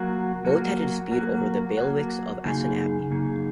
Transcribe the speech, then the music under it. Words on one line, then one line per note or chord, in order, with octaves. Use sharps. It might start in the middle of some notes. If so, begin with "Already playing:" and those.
Both had a dispute over the bailiwicks of Essen Abbey.
Already playing: F#3 A#3 F#4
F#3 A#3 F#4
F#3 A#3 F#4
F#3 A#3 F#4
F#2 C#3 A#3 D#4 G#4
F#2 C#3 A#3 D#4 G#4